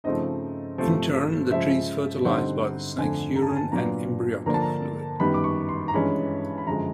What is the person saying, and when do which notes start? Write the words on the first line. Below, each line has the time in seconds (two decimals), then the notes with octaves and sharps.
In turn the tree is fertilized by the snake's urine and embryotic fluid.
0.04 C#3 F3 A3 C4 D#4 D#5
0.78 C3 F3 A3
1.51 C#3 F3 G#3 E5
2.25 D3 G3 C4 D#4 F#5
2.99 F2 D3 F3 A3 G#5
3.36 A#5
3.42 A5
3.50 G#5
3.57 A5
3.72 A#2 F#3 B3 D4 A#5
4.46 D3 F3 A#3 D4 A#5
4.54 A5
4.62 A#5
5.20 F#2 D#3 G3 B3 B5
5.34 D6
5.44 C#6
5.69 C6
5.88 A#5
5.93 G2 E3 G#3 C#4 B5
6.58 B5
6.66 F#2 D3 F3 G#3 A#5